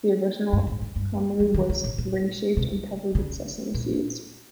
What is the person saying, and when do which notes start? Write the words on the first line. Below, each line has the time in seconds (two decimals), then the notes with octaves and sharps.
The original kumru was ring-shaped and covered with sesame seeds.
0.53 G2
0.67 G#2
0.82 G2
0.96 G2
1.40 F3
1.54 D#3
1.70 C#3
1.84 A#2
1.98 A#2
2.57 C3
3.15 C#3
3.75 A#2